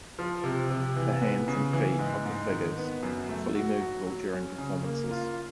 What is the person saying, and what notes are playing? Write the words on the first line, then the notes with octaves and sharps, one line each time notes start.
The hands and feet of the figures are fully movable during performances.
F3
C3
C3
E3
B3
C#3
E3
G#2
G#2
D#3
B3
F#2
A3
F#4
F#3
F#3
C#4
C#3
A#3
F4